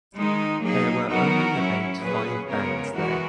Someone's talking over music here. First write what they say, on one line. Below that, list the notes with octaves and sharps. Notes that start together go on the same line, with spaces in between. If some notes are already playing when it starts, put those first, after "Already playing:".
There were only about five bands there.
D#3 G#3 D#4
F#3 A#3 D#4 G#4
F#3 B3 D#4 F#4 A#4
F#3 C#4 E4
A#2 F#3 C#4 G#4 B4
C#3 G#3 B3 A#4 C#5
E3 G#3 B3 F#4 A#4